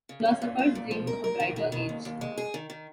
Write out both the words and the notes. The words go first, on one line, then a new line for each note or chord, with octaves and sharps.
Philosophers dreamed of a brighter age.
C#3
C#4
A#2
F4
A#2
F3
A#4
A#4
D#3
D#3
D#3
D#2
D#2
G#3
G#4
D#3
D#3